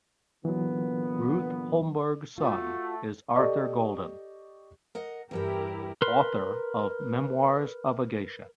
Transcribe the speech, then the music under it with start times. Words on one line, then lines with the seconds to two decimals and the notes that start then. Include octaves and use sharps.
Ruth Holmberg's son is Arthur Golden, author of "Memoirs of a Geisha".
0.45 A#2 D3 E3 F#3 B3
2.38 A3 F4 F#4
3.35 G4 A4 D5 D#5 C#6
4.95 A#4 D#5 F#5
5.31 E2 G2 E4 G4 A#4 G5
6.02 A#4 B4 C6